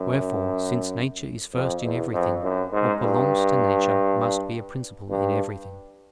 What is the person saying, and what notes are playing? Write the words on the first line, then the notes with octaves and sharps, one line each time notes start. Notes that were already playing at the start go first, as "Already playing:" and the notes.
Wherefore, since nature is first in everything, what belongs to nature must be a principle in everything.
Already playing: F#2
F2
E2
F2
F#2
G#2
G2
G2